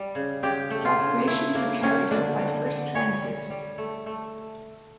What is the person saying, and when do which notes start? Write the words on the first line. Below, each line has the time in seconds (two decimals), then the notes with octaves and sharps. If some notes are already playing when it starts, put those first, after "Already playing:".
Its operations are carried out by First Transit.
Already playing: G3
0.15 C#3
0.43 C#3 G4
0.71 A3
0.85 F4
0.99 C#3
1.27 A3 E4
1.55 C#3 A#3
1.82 F3 C#4
2.11 D3 D4
2.39 G3
2.66 D3
2.94 G3 C#5
3.22 G3
3.50 G3
3.78 A3
4.06 A3